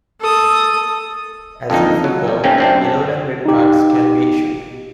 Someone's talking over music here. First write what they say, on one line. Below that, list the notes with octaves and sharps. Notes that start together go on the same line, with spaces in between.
As in football, yellow and red cards can be issued.
A4 D#6
F2 D3 A#3 D#4
F#3
E2 G3
A3 A#3 C4 C#4 D#4 G4
F#2 C4 D4
D#4 G4